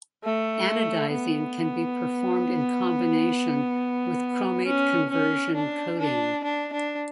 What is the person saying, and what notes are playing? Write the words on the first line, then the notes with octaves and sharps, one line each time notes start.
Anodizing can be performed in combination with chromate conversion coating.
A3
B3
C#4
C#4
D4
D4
D4
D4